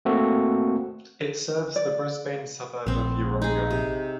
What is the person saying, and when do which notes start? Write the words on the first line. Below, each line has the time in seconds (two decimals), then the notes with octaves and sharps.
It serves the Brisbane suburb of Yeronga.
0.05 A3 A#3 C4 F#4 A4
1.76 D5
2.86 A#1 B3 C4
3.42 D#4 G#4
3.71 C3